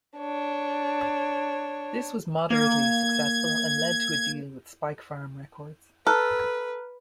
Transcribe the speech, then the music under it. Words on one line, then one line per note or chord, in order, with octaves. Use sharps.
This was moderately successful and led to a deal with Spikefarm Records.
D4 C#5
A#3 G#6
A4 B4 A#5 F6 F#6